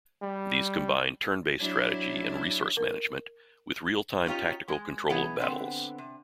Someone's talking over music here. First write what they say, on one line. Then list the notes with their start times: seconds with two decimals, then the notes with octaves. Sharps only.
These combine turn-based strategy and resource management, with real-time tactical control of battles.
0.23 G3
1.60 F#3 D4 E4
2.77 A#4
4.26 C#4 D#4 F4 G4 C#5
4.68 G#3
5.09 E3 B3 D#4 G#4
5.40 D3 B3 C4
5.98 C3